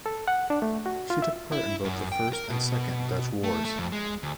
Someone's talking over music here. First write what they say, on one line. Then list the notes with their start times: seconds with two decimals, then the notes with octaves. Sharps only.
She took part in both the First and Second Dutch Wars.
0.06 A4
0.28 F#5
0.50 D4
0.62 A3
0.86 F#4
1.10 F4
1.22 E5
1.52 E4
1.84 F#2
2.12 G5
2.33 A#4
2.50 B2
3.44 A3
3.65 A3
3.78 F2
3.92 G#3
4.23 D2